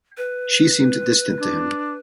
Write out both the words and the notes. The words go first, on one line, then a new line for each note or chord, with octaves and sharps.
She seemed distant to him.
B4
D4